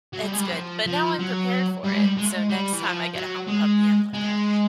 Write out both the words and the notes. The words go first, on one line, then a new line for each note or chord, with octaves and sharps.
it's good. But now I'm prepared for it, so next time I get a hound puppy, I'm like, "Okay,
F#3
G3
G#3
G3
F#3
F3
F3
F#3
G3
G#3
G3
G#3
A3
G#3
G3
E3
F3
F#3
G#3
G#3